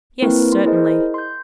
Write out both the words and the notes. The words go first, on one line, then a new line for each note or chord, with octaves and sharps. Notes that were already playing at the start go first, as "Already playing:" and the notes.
"Yes, certainly."
A#3 C4 E4 A#4 B4
C6
E4 G#4 A#4 C5 D#5
C6 G6